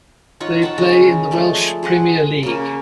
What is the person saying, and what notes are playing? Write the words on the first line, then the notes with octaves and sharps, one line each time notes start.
They play in the Welsh Premier League.
D#4 F4 C#5 F#5
C#5 F#5 G5 A5
C#3 G#3 C#4 A#5
F3 G#3 A3 D5
G#4 C5 F#5
C#3 A#3